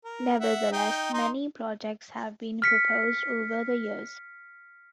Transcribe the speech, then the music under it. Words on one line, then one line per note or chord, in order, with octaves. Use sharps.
Nevertheless, many projects have been proposed over the years.
A#4
E5 F#5
D#4 G5
D#4 A#5 C6
F6 B6 C#7